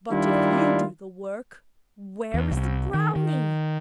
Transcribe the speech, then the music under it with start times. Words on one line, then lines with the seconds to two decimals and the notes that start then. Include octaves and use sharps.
"But if you do the work, where is the brownie?"
0.11 D#3 G3 D4 E4 F4
2.34 E2
2.51 C2
2.94 D#3
3.16 D#3